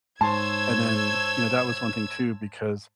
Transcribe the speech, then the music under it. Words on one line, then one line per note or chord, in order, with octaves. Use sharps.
and then, you know, that was one thing too, because,
G#2 C5 C#5 A5 C6 E6 G#6